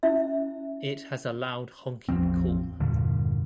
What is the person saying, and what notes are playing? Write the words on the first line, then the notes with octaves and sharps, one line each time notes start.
It has a loud honking call.
C#4 E4 E5
A1 E2 F3 C4
E2 G2 A#2 D3